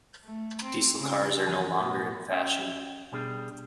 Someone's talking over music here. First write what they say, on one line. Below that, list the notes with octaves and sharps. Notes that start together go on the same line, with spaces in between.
Diesel cars are no longer in fashion.
A3
C4
C#3
E2 F3 F#4 G#5
B1 F2 A2 B3
C#4 D#5 E5 G5
B2 G3 D4 G#4